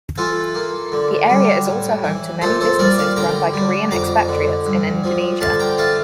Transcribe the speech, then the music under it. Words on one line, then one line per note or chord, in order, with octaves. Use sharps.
The area is also home to many businesses run by Korean expatriates in Indonesia.
E3 F4 A4
A#3
D3
G3
A2
E3
A#2 A4 C5
A4 C5
G3 A#4 D5
D5 F5
D3 G5 A#5
G3
F2 A#5 D6
D3
G2
F3
D3 F5 A5
G5 A#5
A3 F5 A5